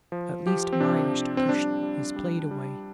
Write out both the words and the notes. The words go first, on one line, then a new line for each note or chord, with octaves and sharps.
At last Myerst pushed his plate away.
F3
F3 G4
C4
C3 D4
F3
C4
G3 D4
G3
G3
G3